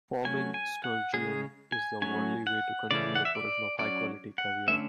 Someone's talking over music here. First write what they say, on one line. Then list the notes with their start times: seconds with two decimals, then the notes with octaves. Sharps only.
Farming sturgeon is the only way to continue the production of high quality caviar.
0.25 F#3 A3 C#4 G#5
0.54 G#5
0.84 F#5
1.13 C#3 G#3 C#4 G#4
1.72 G#5
2.02 F#3 A3 C#4 G#5
2.47 F#5
2.91 C#3 E3 A3 C#4 D5
3.15 F#5
3.25 E5
3.35 D5
3.79 F#3 C#4 D5
4.38 F#5
4.68 D3 A3 C#4 E5